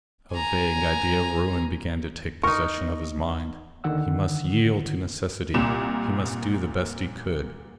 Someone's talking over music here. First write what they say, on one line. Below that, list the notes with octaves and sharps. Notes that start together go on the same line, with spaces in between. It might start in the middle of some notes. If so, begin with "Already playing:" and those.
A vague idea of ruin began to take possession of his mind: he must yield to necessity; he must do the best he could.
G#5 A#5
D#4 A#4 C#6
D#2 D3 D#3 F#5 E6
C2 A#2 E7